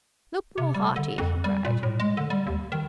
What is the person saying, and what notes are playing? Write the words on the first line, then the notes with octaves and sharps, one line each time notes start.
"Look more hearty!" he cried.
C3
G3
D3
F2
G3
A#2
A2
G#3
D3
G3
D#2
D#3